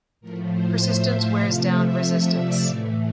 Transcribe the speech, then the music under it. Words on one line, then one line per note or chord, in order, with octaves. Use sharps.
Persistence Wears Down Resistance.
A2 F3 A3 A#4
C5
E5
F5
C3 F3 A3 F5
E5
E5
D5
A2 E3 A3 F5